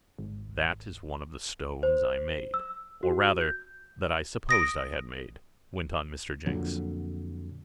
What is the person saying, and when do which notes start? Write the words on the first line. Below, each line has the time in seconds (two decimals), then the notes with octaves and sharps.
"That is one of the stones I made--or rather that I supposed I had made," went on Mr. Jenks.
0.19 G#1
1.83 C5
2.54 E6
3.03 F#4
3.41 G6
4.49 D#6 A#6 D7
6.46 F2 A#2 D3 F#3